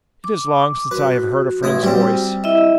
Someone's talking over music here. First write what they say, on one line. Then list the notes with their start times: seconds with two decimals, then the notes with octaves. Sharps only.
'It is long since I have heard a friend's voice.
0.24 D6
0.91 F#4 B4
1.63 A1 E4 D#6
1.83 G3 C4
2.44 E4 D#5 E5